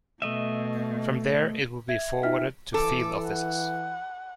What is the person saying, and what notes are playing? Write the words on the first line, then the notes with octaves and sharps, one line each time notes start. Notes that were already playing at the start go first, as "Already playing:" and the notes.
From there it would be forwarded to field offices.
B2 A3 D#5 E5
E5 G#6
D#4 F4 E5 G5 F6 B6
E3 A4 D6
F#5